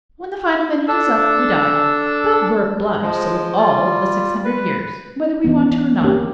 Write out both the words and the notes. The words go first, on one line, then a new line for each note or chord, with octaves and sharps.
When the final minute is up, we die; but we're obliged to live all of the six hundred years, whether we want to or not.
D4 A4 E6
F3 G#3
G3 F4
B4
E3 B3
A#3 C4 C#4 G4